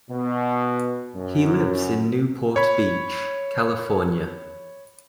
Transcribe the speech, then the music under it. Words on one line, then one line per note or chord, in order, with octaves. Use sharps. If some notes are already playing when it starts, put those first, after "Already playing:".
He lives in Newport Beach, California.
B2
F#2
C#5 B5